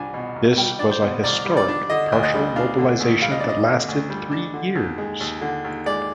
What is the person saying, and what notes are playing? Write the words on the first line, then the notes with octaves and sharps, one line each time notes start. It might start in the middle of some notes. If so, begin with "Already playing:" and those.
This was a historic partial mobilization that lasted three years.
Already playing: C2 G3 D4 G#5
B2
C2
G3 G5
D4 D5
C5
B2
C2 D5
G3
D5
D4
D3 D#5
D2
D#5
G3
D4 F5
D3
D2
G3 F5
D#5
D5
D4 D#5
D3
D2
G3
D4
D3
D#2
G#3
D#2
D3
D#2
G#3 D5